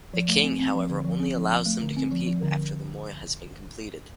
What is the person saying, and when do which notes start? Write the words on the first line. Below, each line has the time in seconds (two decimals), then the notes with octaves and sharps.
The King, however, only allows them to compete after the moai has been completed.
0.14 F3
0.28 A3
0.43 C4
0.59 C4
0.75 F3
0.89 D3
1.04 F3
1.20 C4
1.35 F3
1.50 F3
1.66 A3
1.81 D3
1.97 C4
2.11 F3
2.27 F3
2.42 D3